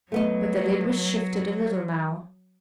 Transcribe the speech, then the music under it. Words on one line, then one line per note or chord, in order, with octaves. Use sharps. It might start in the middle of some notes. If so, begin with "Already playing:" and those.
But the lid was shifted a little now.
F#3 A3 B3 D#5